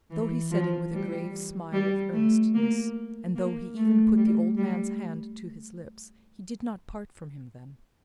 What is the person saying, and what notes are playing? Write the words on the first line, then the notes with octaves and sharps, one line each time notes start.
Though he said it with a grave smile of earnestness, and though he even put the old man's hand to his lips, he did not part from him then.
E3
F3
G3
G3
A3
A#3
A#3
A3
G3
G3